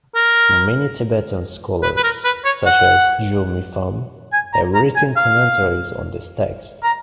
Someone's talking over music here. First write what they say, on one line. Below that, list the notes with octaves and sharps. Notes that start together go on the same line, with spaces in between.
Many Tibetan scholars, such as Ju Mipham, have written commentaries on this text.
A#4
B4
B4
A#4
B4
C#5
F#5
G#5
A#5
A#5
G#5
F5
A#5